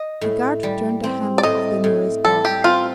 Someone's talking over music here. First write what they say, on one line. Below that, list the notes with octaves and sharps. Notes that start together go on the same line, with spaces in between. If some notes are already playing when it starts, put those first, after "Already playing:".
The guard turned the handle of the nearest door.
Already playing: D#5
A2
G3
C4
D5
A2 D#5
A2
G3 A4
G4
C4 F4